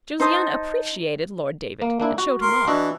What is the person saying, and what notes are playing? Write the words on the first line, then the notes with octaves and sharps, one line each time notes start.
Josiana appreciated Lord David, and showed him off.
D#4 C5 A5 D#6
A#3
A#3 D4 E4
F#4
A#4 C6
E3 D4 F#4 D#5